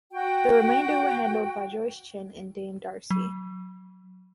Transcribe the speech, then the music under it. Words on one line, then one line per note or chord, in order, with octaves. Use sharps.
The remainder were handled by Joyce Chin and Dame Darcy.
F#4 G5
F#3